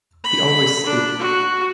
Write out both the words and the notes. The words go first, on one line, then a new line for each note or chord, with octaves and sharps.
He always stood.
B5
D4
F#4